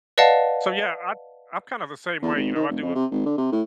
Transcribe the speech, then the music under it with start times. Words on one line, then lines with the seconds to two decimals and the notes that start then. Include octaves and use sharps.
So, yeah, I I'm kind of the same way, you know. I do a
0.18 B4 D5 D#5 F5 F#5 A5
2.22 E2
2.36 G#1
2.55 D#3
2.70 F1
2.82 F2
2.95 C3
3.11 G#1
3.26 D3
3.38 C3
3.52 A2